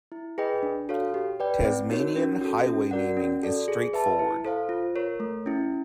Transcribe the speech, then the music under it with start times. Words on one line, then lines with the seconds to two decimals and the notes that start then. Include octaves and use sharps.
Tasmanian highway naming is straightforward.
0.12 E4
0.38 G#4 B4 D#5 G5
0.63 D4
0.89 F#4 A4 C#5 F5
1.14 G4
1.40 B4 D5 G5
1.65 C4
1.90 D#4 F#4 A#4 C#5
2.16 C#4
2.41 F#4 A4
2.66 C#4
2.91 F#4 A#4 D5 F#5
3.17 C#4
3.43 F#4 A4 D5
3.68 G#4
3.93 B4 E5 A5
4.19 E4
4.44 A4 C5 F5
4.69 F4
4.96 A#4 C#5
5.20 A3
5.46 C#4 E4